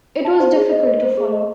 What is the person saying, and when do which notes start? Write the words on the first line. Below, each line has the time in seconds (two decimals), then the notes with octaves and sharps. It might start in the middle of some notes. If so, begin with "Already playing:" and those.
It was difficult to follow.
0.25 A5
0.40 C5
0.56 G#4
0.71 D#5
0.87 D#5
1.02 C5
1.17 G#4
1.32 D#5